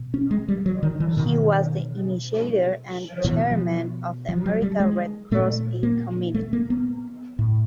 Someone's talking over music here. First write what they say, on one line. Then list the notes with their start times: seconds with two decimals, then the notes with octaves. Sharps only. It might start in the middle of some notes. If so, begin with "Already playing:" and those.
He was the initiator and chairman of the American Red Cross Aid Committee.
Already playing: B2
0.14 C#4
0.31 G#3
0.48 G3
0.66 F#3
0.83 D#3
1.00 E3
1.17 B2 D#3
3.24 B2 E3
3.51 F3
4.29 F3
4.46 F#3
4.62 G3
4.80 G#3
5.31 A#2 A3
5.83 A#3
6.34 A3
6.53 A#3
6.70 B3
7.39 A2